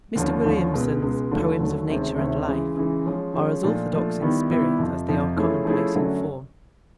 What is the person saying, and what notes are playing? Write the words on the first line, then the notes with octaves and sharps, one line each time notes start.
Mr. Williamson's Poems of Nature and Life are as orthodox in spirit as they are commonplace in form.
D#2 D3 F3 A#3 C#4
D#2 D3 F3 A#3 C#4
C#2 B2 G#3
C#2 B2 G#3
D#2 D3 F#3 A3
D#2 D3 F#3 A3
D2 C3 D#3 G#3 C#4
D2 C3 D#3 G#3 C#4
C#3 E3 G#3
C#3 E3 G#3
F3 G#3 C#4
F3 G#3 C#4
A#2 F3 A3 D4
A#2 F3 A3 D4
D#3 G3 B3 E4 G4
D#3 G3 B3 E4 G4
F2 C3 F3
F2 C3 F3
F3 A3 C#4 E4 G#4
F3 A3 C#4 E4 G#4
F#2 D3 F#3 A3 C#4